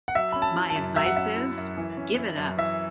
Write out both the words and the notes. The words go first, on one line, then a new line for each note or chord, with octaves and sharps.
My advice is—give it up!
F#5
F#3 E5
C#4 B5
A5
E4
A5
F#2
F#3 E5
F#5
C#4 E5
E4
F#2
E3
C#4
E4
F#2
E3 E5